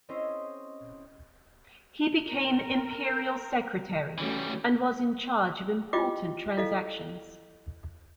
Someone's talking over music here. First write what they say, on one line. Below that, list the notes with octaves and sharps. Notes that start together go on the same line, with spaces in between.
He became imperial secretary and was in charge of important transactions.
C4 C#4 E4 G#4 C5 D#5
A#4
E3 G3 A3 C#4 F#4
E4 F4 G4 D#5 G5 D6
E4 A4 D#5 F5